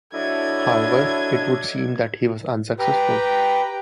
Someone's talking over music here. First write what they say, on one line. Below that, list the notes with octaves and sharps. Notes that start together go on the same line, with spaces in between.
However it would seem that he was unsuccessful.
F#3 D4 E4 A4 D#5 G#6
G4 B4 G5 A#5